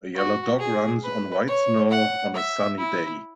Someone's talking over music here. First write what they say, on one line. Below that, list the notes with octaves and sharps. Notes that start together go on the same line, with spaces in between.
A yellow dog runs on white snow on a sunny day.
F#4
G#4
B4
C#5
F#5
E5
E4